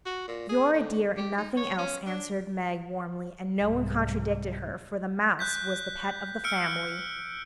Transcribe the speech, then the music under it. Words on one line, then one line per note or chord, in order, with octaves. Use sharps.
"You're a dear, and nothing else," answered Meg warmly, and no one contradicted her, for the 'Mouse' was the pet of the family.
F#4
A#2
G#4
D3
G4
D#4
C#5
C#4
D4
C2 G#2
F#6 G6 B6
E6 F6 C#7 D7